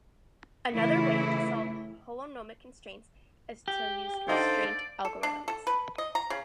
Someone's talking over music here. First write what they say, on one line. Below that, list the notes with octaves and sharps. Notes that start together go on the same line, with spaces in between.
Another way to solve holonomic constraints is to use constraint algorithms.
C#3 E3 A3 E4
G4
D3 D#4 A4 C5 D5 F5
A4
D4
A4
B4
D#5
A#5
C#3